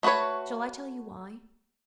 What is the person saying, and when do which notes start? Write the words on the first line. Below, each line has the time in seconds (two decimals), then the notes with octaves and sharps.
Shall I tell you why?
0.03 A3 F#4 A#4 B4 C#5